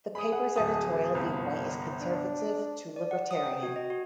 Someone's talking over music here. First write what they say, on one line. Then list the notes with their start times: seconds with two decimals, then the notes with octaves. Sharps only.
The paper's editorial viewpoint is conservative to libertarian.
0.15 G#4 B5 D#6
0.32 F#5
0.56 D1 A5 D#6
1.15 G1 C2 F3
2.00 D4
2.96 D5
3.11 F#5
3.31 D#6
3.45 G5
3.63 F#4
3.76 D#5
3.90 F#4